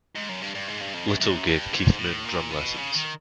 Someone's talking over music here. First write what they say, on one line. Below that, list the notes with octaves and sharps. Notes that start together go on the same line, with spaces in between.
Little gave Keith Moon drum lessons.
G#2
F#2
G2
G2
G#2
G2
F2
F#2
F#2
G2
G#2
A2
A#2
B2
C#3
D#3